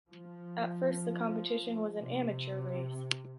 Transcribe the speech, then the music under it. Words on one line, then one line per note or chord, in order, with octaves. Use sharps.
At first the competition was an amateur race.
F3
C3